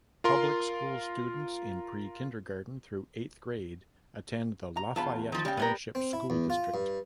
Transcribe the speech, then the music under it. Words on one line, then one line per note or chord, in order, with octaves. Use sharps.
Public school students in pre-kindergarten through eighth grade attend the Lafayette Township School District.
F4 A#4 C6
A#5
E2 F4 A5 B5
D#3 F3
C#3 G3 G5
B3 G4 A#4
C4
E4
E2
F4
G2